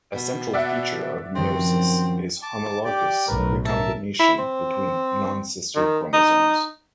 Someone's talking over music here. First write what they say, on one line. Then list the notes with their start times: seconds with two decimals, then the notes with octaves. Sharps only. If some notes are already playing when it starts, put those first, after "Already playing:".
A central feature of meiosis is homologous recombination between non-sister chromosomes.
0.14 B2
0.53 D5 E5 F#5
1.35 F#2 D#3 F3 C4
2.42 A5 D6
2.85 G4 D5 G5
3.27 B1 F#2 A2 A#4 B4
3.65 A#4 E5 A5
4.19 E4
4.39 C4
5.76 D#3
6.13 D#4